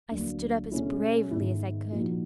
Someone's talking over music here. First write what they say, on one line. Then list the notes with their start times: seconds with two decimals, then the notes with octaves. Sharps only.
I stood up as bravely as I could.
0.11 D2 D3 F#3 A#3
0.71 B2 G#3 C#4 E4 A4
1.31 G#2 D#3 G#3 B3 E4
1.91 A#2 F3 A#3 D#4 F#4